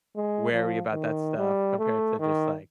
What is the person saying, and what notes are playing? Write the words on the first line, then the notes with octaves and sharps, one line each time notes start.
wary about that stuff compared to just, like
G#3
F3
D#3
G3
A3
D#3